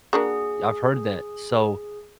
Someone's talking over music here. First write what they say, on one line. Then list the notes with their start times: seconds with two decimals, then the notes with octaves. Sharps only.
I've heard that, so,
0.13 A#3 D4 F#4 G#4